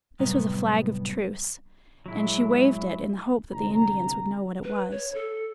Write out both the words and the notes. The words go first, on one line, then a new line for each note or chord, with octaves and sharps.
This was a flag of truce, and she waved it, in the hope that the Indians would know what it was.
F#2 A2 C3 G3 B3 A#5
A#2 F#3 G#3 E4
G1 C2 A#5
B4
C#5
A4